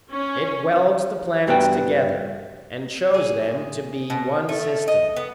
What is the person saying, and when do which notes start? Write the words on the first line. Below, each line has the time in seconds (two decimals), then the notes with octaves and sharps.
It welds the planets together, and shows them to be one system.
0.11 C#4
1.47 G2 G3 B3 F#4 G5
3.14 G#4
4.10 B2
4.49 A3
4.88 D#5
5.16 B3